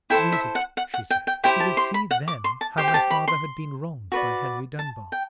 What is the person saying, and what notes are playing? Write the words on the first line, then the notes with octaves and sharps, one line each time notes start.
"Read it," she said; "you will see then how my father had been wronged by Henry Dunbar."
E4 A4 C5 G5
E5
F#5
F#5
F#5
G5
G5
E4 G4 C5 G5
A5
C6
B5
F#5
D6
C6
A5
G4 C5 G5
G5
A5
B5
C6
F#4 B4 D5
A5
G5